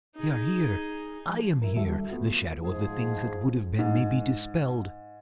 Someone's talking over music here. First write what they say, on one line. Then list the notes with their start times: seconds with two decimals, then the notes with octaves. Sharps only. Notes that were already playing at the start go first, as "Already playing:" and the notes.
They are here--I am here--the shadows of the things that would have been, may be dispelled.
0.16 D#4 G#4
1.29 F3
1.62 E4 A#4
1.76 D#2 D3 G3 F#4 A4 E5
2.11 A3 B3 F4
2.63 G#2 F3 G#4
3.79 G#2